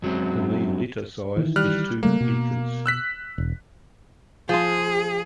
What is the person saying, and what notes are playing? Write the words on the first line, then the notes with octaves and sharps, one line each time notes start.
The mean litter size is two infants.
F#2 F#3 G#3 C4
D#3 E3
G3 F6 F#6
C#3 G3 A3 A#3
B2
E6 F#6 B6
E1
F3 F4 G#4